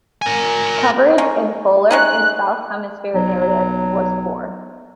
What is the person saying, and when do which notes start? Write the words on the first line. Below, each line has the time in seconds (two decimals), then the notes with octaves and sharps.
Coverage in polar and south-hemisphere areas was poor.
0.22 A#4 G#5
1.18 G#3 C#4 D#4
1.91 G#3 C#4 D#4 F#6
3.14 B1 F#3